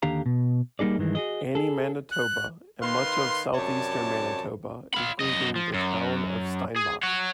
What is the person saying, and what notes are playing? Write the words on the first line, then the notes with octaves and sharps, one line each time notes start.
Anne, Manitoba and much of southeastern Manitoba, including the town of Steinbach.
D#2 D3 D4 G4 F5 A#5
B2
G3 A#3 D#4 G#4 D5
G2 D#3 E3 G#3
F#4 G#4 D#5
G#4 A4
F#6
D#3 B4 F5 C6
F#2 C3 C#5 D5 A5
F4 B5
F#2 D#5
F3
F#2
G#4
C#5 F#5